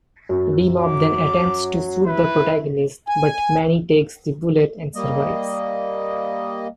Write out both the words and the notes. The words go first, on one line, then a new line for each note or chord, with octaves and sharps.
D-Mob then attempts to shoot The Protagonist but Manny takes the bullet and survives.
F#2
F#3 D6
E4 B4
G#5
G3 A#3 D#5